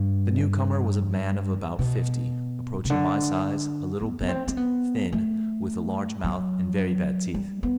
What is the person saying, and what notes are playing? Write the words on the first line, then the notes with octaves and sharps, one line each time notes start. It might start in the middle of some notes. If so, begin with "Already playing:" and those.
The new-comer was a man of about fifty, approaching my size, a little bent, thin, with a large mouth, and very bad teeth.
Already playing: G2
B2
C3
D3
B3
B3
C4
C4
B3
A3
F#3
G3
B3